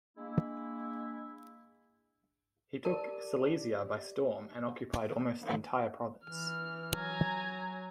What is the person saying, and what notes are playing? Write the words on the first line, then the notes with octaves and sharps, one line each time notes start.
He took Silesia by storm and occupied almost the entire province.
G#3 A#3 D4 E4
G4 A#4 D5 A5
E3 F6
F#3 G#5 A#5